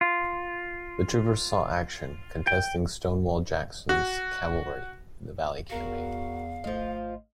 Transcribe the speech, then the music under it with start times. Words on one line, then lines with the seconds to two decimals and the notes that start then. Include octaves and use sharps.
The troopers saw action contesting Stonewall Jackson's cavalry in the Valley Campaign.
0.01 F4
2.47 G5
3.89 F#4
5.70 E2 F#4 A#4 F5
6.64 G#1 F3 A3 F4 D#5